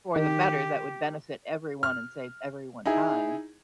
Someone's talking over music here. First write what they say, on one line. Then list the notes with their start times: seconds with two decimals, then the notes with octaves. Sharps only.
for the better, that would benefit everyone, and save everyone time.
0.16 D#3 G4
1.83 F6
2.86 D#4 E4 G#4